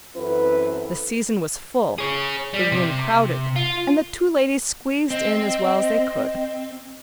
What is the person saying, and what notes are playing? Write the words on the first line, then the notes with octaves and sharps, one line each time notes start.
The season was full, the room crowded, and the two ladies squeezed in as well as they could.
F#2 E3 C4 E4 A4 B4
G#4 C#5
G3
C3
F4
C4 D#5